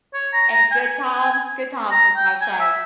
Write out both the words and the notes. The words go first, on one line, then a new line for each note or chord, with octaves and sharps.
And Good Times, Good Times was my show.
C#5
A#5
A#5
G#5
A#5
G5
G#5
E5